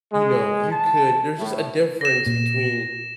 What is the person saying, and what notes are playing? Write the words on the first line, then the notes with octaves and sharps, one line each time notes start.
you know, you could there's just a difference between
G#3
A5
A2
A#6 E7
A#2